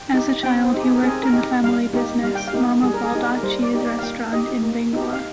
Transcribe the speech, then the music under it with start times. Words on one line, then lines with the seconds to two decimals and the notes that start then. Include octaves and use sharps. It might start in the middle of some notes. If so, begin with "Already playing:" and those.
As a child, he worked in the family business, Mama Baldacci's restaurant in Bangor.
Already playing: G5
0.14 D#4 G4
0.43 C4 G5
0.64 C5
0.74 D#4 G4
0.83 G#4
0.94 A#4
1.03 C4 G#4
1.23 A#4
1.33 D#4 G4
1.64 G3 F5
1.93 A#3 D#4 G4
2.23 G3 F5
2.35 G5
2.47 F5
2.53 A#3 D#4 G4
2.83 G3 G#4
2.94 A#4
3.04 G#4
3.13 A#3 D#4 G4
3.23 D5
3.34 A#4
3.43 G3 C5
3.62 D5
3.73 A#3 D#4 G4
3.83 D5
3.98 F5
4.03 A#3 G5
4.33 D#4 G4 D#5
4.63 A#3
4.93 D#4 G4
5.13 F5